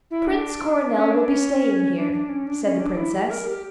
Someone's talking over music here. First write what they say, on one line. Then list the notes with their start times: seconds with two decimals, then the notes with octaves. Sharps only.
"Prince Coronel will be staying here," said the Princess.
0.11 E4
0.27 D4
0.95 C#4
1.11 D4
1.29 C#4
1.96 D4
2.13 D4
2.29 C#4
2.46 D4
2.63 C#4
2.80 D4
2.97 E4
3.14 G4
3.26 G4
3.30 A#4
3.47 G4